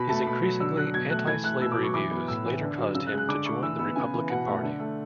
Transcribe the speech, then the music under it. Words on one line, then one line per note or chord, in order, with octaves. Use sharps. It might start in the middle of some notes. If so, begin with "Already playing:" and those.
His increasingly antislavery views later caused him to join the Republican Party.
Already playing: B2 B5
A3 A5
B2 B5
F#3
D3 E6
F#3 F#6
B2 G#6
A3 F#6
E3 G#6
A3 F#6
B2 E6
D6
F#3
C#6
E3 D6
B3
A2 E6
E3
D3
F#3
C#3 E6
F#6
G#3
F#6
D3 D6
A3 C#6
E3 E6
B3 E6
C#3 G#5
E3
B2 F#5
A3
D3
A3